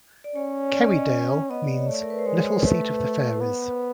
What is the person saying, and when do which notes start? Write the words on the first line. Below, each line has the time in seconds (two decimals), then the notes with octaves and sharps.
Kerrydale means "little seat of the fairies".
0.24 D5
0.36 C#4 C#5
0.74 D5
0.86 D#5
1.00 C#5
1.50 B3 D#5
1.64 D5
1.78 C#5
1.88 A3 D5
2.02 A#4
2.10 B4
2.19 C5
2.26 G#3 C#5
2.40 C#5
2.52 C5
2.64 A3 B4
3.41 B3